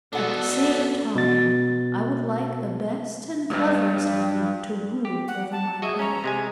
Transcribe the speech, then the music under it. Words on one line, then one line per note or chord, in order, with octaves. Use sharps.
At the same time I would like the best and cleverest of you to rule over my people.
B2 B3 D4 A4 F#5
B2 A6
C2 G2
G4
F#5
A5
F#4 G#4 D#5 E5
C#4 C#5 A#5
C3 G#3 G#5